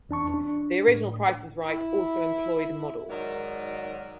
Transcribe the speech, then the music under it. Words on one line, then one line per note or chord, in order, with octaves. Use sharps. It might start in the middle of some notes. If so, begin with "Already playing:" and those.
The original "Price Is Right" also employed models.
E2 D4 A5 C#6
D4
A2
E4
G#2 D#3 F#3 D#4 A#4 D5